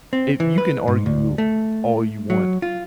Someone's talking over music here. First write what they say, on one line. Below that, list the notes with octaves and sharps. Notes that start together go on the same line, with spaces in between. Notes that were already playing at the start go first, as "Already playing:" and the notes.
i you can argue all you want
C4
E3
B4
G#2
D2
A3
F#3
F4